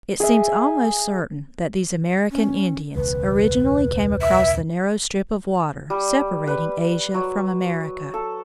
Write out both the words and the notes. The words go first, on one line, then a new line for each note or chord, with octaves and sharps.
It seems almost certain that these American Indians originally came across the narrow strip of water separating Asia from America.
G#4 E5
C#4
E1 C#2 C#3 B4
E5
G3
B4
F#3
A4